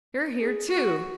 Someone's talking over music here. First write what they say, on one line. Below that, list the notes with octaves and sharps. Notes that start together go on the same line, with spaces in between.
You're here, too!
G#4
F#4